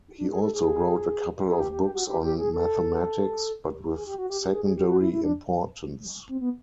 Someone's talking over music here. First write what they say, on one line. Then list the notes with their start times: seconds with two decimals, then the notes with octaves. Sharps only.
He also wrote a couple of books on mathematics, but with secondary importance.
0.18 D4
0.31 G#4
0.42 A4
0.54 G#4
1.45 A4
1.52 G#4
1.60 G4
1.72 G4
1.83 G4
1.95 F#4
2.07 G4
2.22 G4
2.38 G#4
2.54 A4
3.95 G#4
4.07 G4
4.18 F#4
4.30 G4
4.41 G4
4.53 G#4
4.65 G#4
4.77 G4
4.88 F#4
5.01 E4
5.12 E4
5.24 D4
6.29 C4
6.41 B3